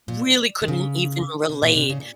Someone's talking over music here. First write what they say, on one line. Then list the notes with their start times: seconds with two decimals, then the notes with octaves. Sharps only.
really couldn't even relate.
0.08 A#2
0.62 D#3
0.68 C#3
1.49 C3
1.62 A#2
1.76 C3
1.90 C#3
2.00 A#2